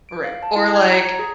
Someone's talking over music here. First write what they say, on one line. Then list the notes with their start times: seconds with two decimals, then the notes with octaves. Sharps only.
Right. Or, like,
0.09 D7
0.24 F5
0.43 A5
0.56 E4
0.75 G#6
0.91 A#5
1.07 G#6
1.19 G#4